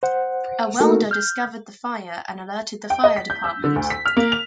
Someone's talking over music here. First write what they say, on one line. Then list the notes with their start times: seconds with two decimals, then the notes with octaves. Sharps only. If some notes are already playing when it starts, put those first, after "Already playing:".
A welder discovered the fire, and alerted the fire department.
0.03 C5 F#5
0.80 A3 A#3 D#4 F#4 A4 A#4
1.11 F6 G6
2.90 G5
3.04 D#5
3.16 B6
3.30 G6
3.44 E6
3.64 D3
3.76 D2
3.90 B6
4.06 F6
4.17 A#3
4.32 F7